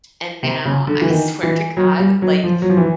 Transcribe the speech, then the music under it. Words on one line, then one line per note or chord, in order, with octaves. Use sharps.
and now, I, swear to God, like,
C3
C#3
D3
E3
D#3
E3
F#3
G3
F#3
F3
F#3
F3
E3